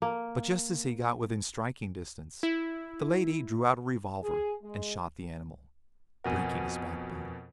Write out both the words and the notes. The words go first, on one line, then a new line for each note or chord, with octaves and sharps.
But just as he got within striking distance, the lady drew out a revolver and shot the animal, breaking his backbone.
A#3
E4
G#4
G#3
F2 B2 A#4 F#5 G#5